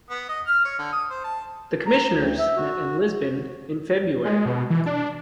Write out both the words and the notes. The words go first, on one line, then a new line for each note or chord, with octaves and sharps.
The Commissioners met in Lisbon in February.
B3
D#5
F6
C#5
D3
D#6
C5
A5
A#5
D2
E5
F#4
G#3
B2
E3
D4